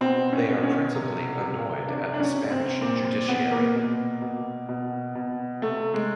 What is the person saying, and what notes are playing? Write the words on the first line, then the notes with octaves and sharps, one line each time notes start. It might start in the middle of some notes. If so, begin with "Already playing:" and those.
They are principally annoyed at the Spanish Judiciary.
B2 C4
C#4
B2
C#4
C3
C3
C3 D4
D4
C#4
C3
C4
A#2 C4
C4
A#2 B3
A#3
B2
B2
B2
B2
C3 A3
G#3